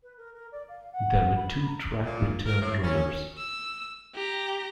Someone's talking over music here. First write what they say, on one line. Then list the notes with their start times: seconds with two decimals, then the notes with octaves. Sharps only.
There were two track-return rollers.
0.03 B4
0.17 A#4
0.34 A#4
0.52 D5
0.68 F5
0.92 F#5
1.36 B5
1.67 A#5
2.04 A#2
2.46 A#4
2.61 A2
2.83 C#4
3.38 E6
4.14 G4 A#5